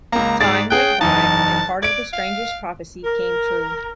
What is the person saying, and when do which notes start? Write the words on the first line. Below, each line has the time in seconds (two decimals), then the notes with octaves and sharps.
Time went by and part of the stranger's prophecy came true.
0.12 C#2 A#3 A#5
0.40 G#2 G#4 D5 A6
0.70 C#4 G#4 G5 F#6
1.01 F#1 E2 D#4 A5
1.82 D5 G#6 D7
2.13 F5
3.04 A#4